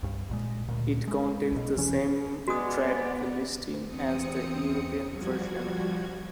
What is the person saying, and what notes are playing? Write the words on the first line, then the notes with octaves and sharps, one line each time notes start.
It contains the same track listing as the European version.
C2 G2
B1 A#2 G#3
D2 A#2
G#3
B1 B2
E1 B2 E3 C#4
G#3 B3 F#4 D5 D#6
E2 C4 D#6 C#7
F3 G3 F#4 G#6